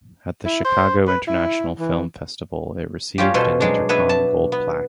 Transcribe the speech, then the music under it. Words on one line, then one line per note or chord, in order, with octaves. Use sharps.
At the Chicago International Film Festival it received an Intercom Gold Plaque.
E4
C5
B4
E4
E3
G3 C#4 F4 G4
B2 C#4 A4 B4 C5 C6
F#3 G#3 D4
B3 D4 B4 C#5 E5
A5
B3